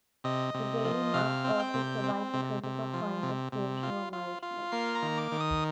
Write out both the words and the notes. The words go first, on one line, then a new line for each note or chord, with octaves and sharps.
The daily Mass also provides a critical point of spiritual nourishment.
C3 D#5
C3
F3
C3 F5
C4
G5
C3
C4
C3
C3
F3
C3
C3
F4
F4
F4
A#3 C6
A#5
D#3
D6
D#3
D#6